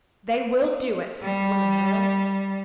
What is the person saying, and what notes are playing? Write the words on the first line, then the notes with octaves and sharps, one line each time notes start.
They will do it--the women will.
G3